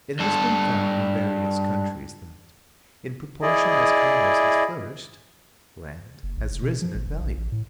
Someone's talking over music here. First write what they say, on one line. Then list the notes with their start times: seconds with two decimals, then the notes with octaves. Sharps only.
It has been found in various countries that, in proportion as commerce has flourished, land has risen in value.
0.19 G2 A4
3.42 E4 G#4 D5 D#5
6.23 F#1
6.37 A1
6.50 F1
6.62 B2
6.82 F3
6.95 G#1
7.07 F1
7.20 A#1
7.37 A1
7.52 A2